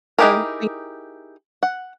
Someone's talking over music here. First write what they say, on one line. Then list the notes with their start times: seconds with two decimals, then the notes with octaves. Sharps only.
Um, thi
0.18 D#4 E4 G4 G#4 A#4
1.63 F#5